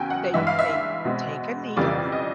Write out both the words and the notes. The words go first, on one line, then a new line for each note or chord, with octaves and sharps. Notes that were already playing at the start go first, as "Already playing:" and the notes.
They they take a needle
Already playing: E2 C#3 F#3 A#3 C#4 G5 G#5
F#5
G2 E3 G#3 E5
F5
E5
B2 G#3 C4
F2 C#3 E3 G3 D5
D#5